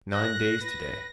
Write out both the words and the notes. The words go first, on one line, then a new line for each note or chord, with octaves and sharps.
It's nine days today.
F#6 A#6
B4